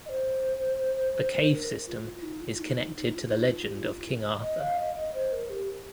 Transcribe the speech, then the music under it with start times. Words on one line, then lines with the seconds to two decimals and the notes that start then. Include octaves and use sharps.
The cave system is connected to the legend of King Arthur.
0.05 D#5
0.09 C5
1.51 A#4
1.87 F4
2.04 F4
2.22 D#4
2.41 F4
2.60 D#4
2.77 D#4
2.96 D#4
3.14 F4
3.32 D#4
3.49 F4
3.68 G4
3.76 F4
3.84 D#4
3.90 F4
4.40 D#5
4.59 F5
4.77 D#5
4.95 D#5
5.14 C5
5.32 A#4
5.49 G4